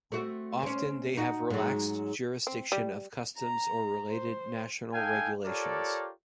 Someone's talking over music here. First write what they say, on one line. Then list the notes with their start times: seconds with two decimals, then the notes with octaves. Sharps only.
Often they have relaxed jurisdiction of customs or related national regulations.
0.12 A3 C4 F#4
0.63 C4 C#4
1.17 D#4 F#4
1.50 G#2 F#3
2.47 C4
2.72 G3
3.38 A#5
4.10 C5
4.93 D#4 A4 F5 G5 G#5
5.45 F4 G4 A4 A#4 C#5 D5